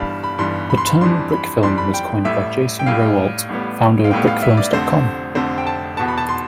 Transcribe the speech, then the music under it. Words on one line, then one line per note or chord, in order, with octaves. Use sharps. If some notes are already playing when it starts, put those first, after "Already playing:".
The term 'brick film' was coined by Jason Rowoldt, founder of Brickfilms.com.
Already playing: G1 G2 E3 G3 D4 F5 A5 B5
B5
G1 G2 E3 G3 D4 C6
B5
C6
B5
F2 E3 G3 D4 C6
B5
F2 E3 G3 D4 C6
B5
G5
A1 A2 G3 E5
G5
A1 A2 G3 F5
A1 A2 G3 B3
F5
A1 A2 G3 B3 G5
F5
E5
D5
F1 F2 D3 A3 C4 C5
F1 F2 D3 A3 C4 C5
G5
A5
E1 E2 B2 B3 A5
B5
A5
C6